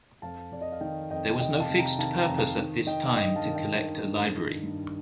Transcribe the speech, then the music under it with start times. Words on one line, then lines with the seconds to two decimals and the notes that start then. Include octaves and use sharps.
There was no fixed purpose at this time to collect a library.
0.22 F2 F5 A5
0.52 F2 D5
0.61 D#5
0.72 F5
0.81 D#3 D#5 G5
1.10 F2 D#5 G5
1.39 C3 D#5 G5
1.59 F5 A5
1.70 C3
1.79 G5 A#5
1.99 D#3 F5 A5
2.19 G5 A#5
2.29 F2
2.37 F5 A5
2.58 D#3
2.87 D#3 D#5 G5
3.16 G2 D#5 G5
3.35 F5 A5
3.45 D#3
3.55 D#5 G5
3.75 D#3
4.04 G2
4.33 D#3
4.63 G2